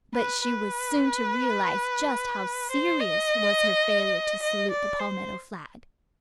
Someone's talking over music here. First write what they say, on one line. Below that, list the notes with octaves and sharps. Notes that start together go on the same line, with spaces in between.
But she was soon to realize just how serious was her failure to salute the palmetto flag.
B4
B4
C5
D#5
D#5
D5
C5